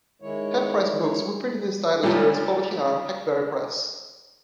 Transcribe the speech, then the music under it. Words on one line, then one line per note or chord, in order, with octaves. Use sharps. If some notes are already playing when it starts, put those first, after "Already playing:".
Half Price Books reprints these titles under its publishing arm, Hackberry Press.
D#3 G#3 E4 C#5
C#2 A#2 G3 F4 G4 A4